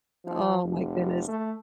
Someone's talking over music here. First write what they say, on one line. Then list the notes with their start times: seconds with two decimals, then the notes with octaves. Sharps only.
Oh, my goodness.
0.25 F3
0.64 F1
1.28 A3